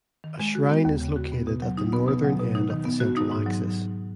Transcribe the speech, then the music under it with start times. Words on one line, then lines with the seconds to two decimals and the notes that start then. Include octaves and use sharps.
A shrine is located at the northern end of the central axis.
0.24 D#3
0.40 G#3
0.55 F#4
0.70 B3
0.85 D#2
1.01 C#3
1.16 F#4
1.32 B3
1.47 B2
1.62 F#3
1.77 D#4
1.93 B3
2.08 B2
2.24 F#3
2.39 B2
2.55 D#4
2.70 D#3
2.85 B3
3.00 F#4
3.17 D#4
3.31 G#2
3.46 F#3